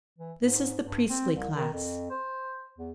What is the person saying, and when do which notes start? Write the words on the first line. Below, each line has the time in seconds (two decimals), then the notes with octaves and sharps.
This is the priestly class.
0.18 E3
0.41 G#2
0.83 G2
1.09 C4
1.35 C2
1.54 D#3
1.73 F2
2.10 C5
2.78 E2